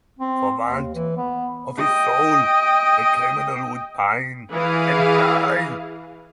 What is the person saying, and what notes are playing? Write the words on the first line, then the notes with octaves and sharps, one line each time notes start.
For want of his soul the criminal would pine and die.
C4
D#2
E3
B3
D#5 G5
E3 G#4 F5